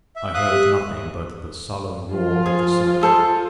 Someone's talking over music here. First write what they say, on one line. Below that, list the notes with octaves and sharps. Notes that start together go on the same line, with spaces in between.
I heard nothing but the sullen roar of the surf.
E5
E5 F5 D#6 F#6
G4
F3 F4
G#4
G#4 A4 C5